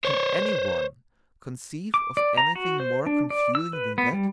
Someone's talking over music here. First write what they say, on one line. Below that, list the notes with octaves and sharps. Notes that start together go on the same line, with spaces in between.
Can any one conceive of anything more confusing than that?
C5 C#5
D6
D5
A#5
F#4
C5
D4
D5
E6
B4
B3
G3